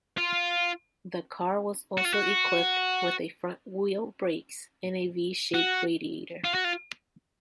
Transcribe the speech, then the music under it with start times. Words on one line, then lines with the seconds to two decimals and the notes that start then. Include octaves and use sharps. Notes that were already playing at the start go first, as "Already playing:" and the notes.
The car was also equipped with front-wheel brakes and a V-shaped radiator.
0.18 F4
1.98 F#4
2.05 F4
2.13 F#4
5.55 F#4
6.44 F4
6.54 F#4
6.64 F4